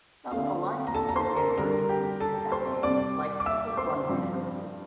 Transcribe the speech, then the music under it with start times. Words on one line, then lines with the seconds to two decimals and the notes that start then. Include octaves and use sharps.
Some alliances of universities use that name, like Sorbonne University.
0.31 D3 A3 C4 F5
0.87 A#5
0.95 A4 A5
1.09 A#5
1.15 C5 C6
1.37 A#4 A#5
1.57 D3 G3 D4 A#4 A#5
1.89 G4 G5
2.20 A4 A5
2.52 C5 C6
2.83 C3 G3 C4 D5 D6
3.40 D6
3.46 E5 E6
3.77 C5 C6
4.09 G2 F3 C4